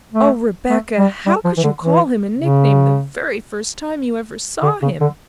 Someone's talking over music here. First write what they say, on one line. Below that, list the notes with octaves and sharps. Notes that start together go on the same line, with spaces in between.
"Oh, Rebecca! how could you call him a nickname the very first time you ever saw him?"
A3
A3
G3
G3
F3
E3
D3
E3
C#3
D3
C#3
D3